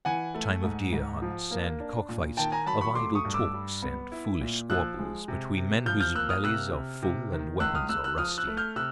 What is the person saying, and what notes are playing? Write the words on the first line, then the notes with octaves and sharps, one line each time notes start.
A time of deer-hunts and cock-fights; of idle talks and foolish squabbles between men whose bellies are full and weapons are rusty.
E3 F#5 G#5
A3
G#2
G#2
F3
A#3
D4
A#2
D#3 G5 A5
G#5 A#5
F#3 A5 B5
B5 C#6
A3 C6 D6
C#6 D#6
G2
D6 E6
G3
B3
E4
A#2
F3 E6 F#6
G#3
C3
C3
F3 F6 G6
F6 G6
A#3 E6 F#6
D#6 F6
C3 E6 F#6
C3
C3
D#3
C#2 E6 F#6
D#6 F6
C#2 E6 F#6
E6 F#6
F3 D#6 F6
E6 F#6
A3
F6 G6
C3 E6 F#6